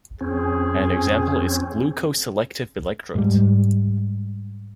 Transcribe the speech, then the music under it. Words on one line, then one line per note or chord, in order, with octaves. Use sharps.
An example is glucose selective electrodes.
F2 C4 C#4 G#4
G#2 G3